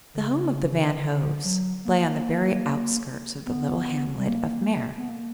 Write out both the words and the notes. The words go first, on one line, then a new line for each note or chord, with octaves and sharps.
The home of the Van Hoves lay on the very outskirts of the little hamlet of Meer.
D3
C#3
D3
F#3
A#3
B3
G3
A#3
B3
A#3